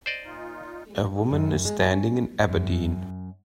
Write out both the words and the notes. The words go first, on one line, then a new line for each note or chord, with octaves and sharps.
A woman is standing in Aberdeen.
C5 D5 D#5
A#2 D#4 F4
F#2
G#3
C#4
F#2